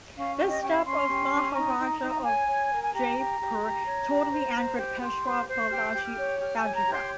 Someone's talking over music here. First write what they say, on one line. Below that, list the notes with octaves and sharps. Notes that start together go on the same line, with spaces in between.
This step of Maharaja of Jaipur totally angered Peshwa Balaji Bajirao.
C#4 F5
G4
D#5
C#4 G5
F5
C#4 C6
G4
C#4
D#4 A#5
D#4
D#4
C#5 G#5
C#5
A#4
G#5
G4 A#5
G4
G4
G4
C#5
G4
C5
C5
G4
G4 C6
C5
C5
G4 F6
G6
G4
F6
C#5
G4 F6
G#5
C#5
A#5
G4
C6